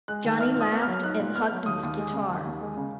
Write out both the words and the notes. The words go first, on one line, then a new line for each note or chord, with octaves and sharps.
Johnny laughed and hugged his guitar.
G#3 F#6
D#3
D#4 F6
A#2 D#6
B3
F6
F#3
D#4 F#6
A#2
B3 F6
F#3
D#2 D#6
D#2
G#3
C#3
D#2
D#2
G#3
C#3